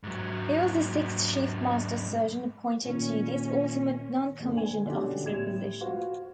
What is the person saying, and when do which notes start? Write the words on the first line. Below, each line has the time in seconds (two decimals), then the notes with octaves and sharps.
He was the sixth chief master sergeant appointed to this ultimate noncommissioned officer position.
0.04 G#2 F#3
2.85 A#2 D#3 C#4
4.40 F#1 D3
4.57 B4 G#5
4.85 B2 D3 C#4 D#4 G4
5.24 A2 G3 G#6 E7
5.81 F4 F#4 B4 C5